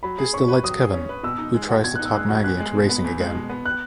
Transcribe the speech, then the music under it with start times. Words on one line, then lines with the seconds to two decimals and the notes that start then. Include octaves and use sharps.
This delights Kevin, who tries to talk Maggie into racing again.
0.03 F#3 B5
0.18 G#4
0.33 C#4 C#6
0.48 B4
0.64 F#3 D#6
0.78 G#4
0.94 C#4
1.09 B4
1.23 B2 E6
1.38 D#4
1.54 G#3
1.69 F#4
1.84 B2 G#6
1.95 D#4 F#6
2.05 E6
2.15 G#3 F#6
2.29 F#4
2.37 G#6
2.44 E2 F#6
2.60 G#3
2.74 B2
2.89 B3
3.04 E2
3.20 G#3
3.35 B2
3.50 B3
3.66 F#6